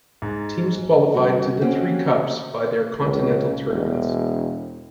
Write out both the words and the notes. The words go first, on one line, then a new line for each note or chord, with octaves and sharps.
Teams qualified to the three cups by their continental tournaments.
G#2
G2 D#3 G3 C4 C#4 F#4
A#3 C4 C#4 F#4 G4 A#4
C#2
E1